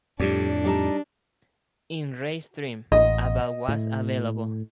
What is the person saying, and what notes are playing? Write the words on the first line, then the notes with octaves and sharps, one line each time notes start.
In race trim, about was available.
F2 A2 G3 D4
G3 D#4 A5
A1 D#5
A2